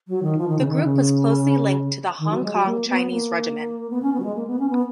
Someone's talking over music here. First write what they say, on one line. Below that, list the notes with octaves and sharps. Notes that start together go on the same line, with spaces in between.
The group was closely linked to the Hong Kong Chinese Regiment.
F#3
D#3
F3
D#3
C#3
D#3
C#3
D#3
F#3
G#3
F#3
A#3
B3
A#3
B3
C#4
B3
F#3
G#3
A#3
B3
C#4
B3